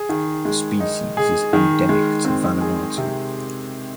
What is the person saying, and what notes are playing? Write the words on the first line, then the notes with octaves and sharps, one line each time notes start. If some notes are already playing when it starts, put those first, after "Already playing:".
The species is endemic to Vanuatu.
Already playing: G#4
D#3
G#3
D#4
G#4
D#3
G#3
C4
G#4
C3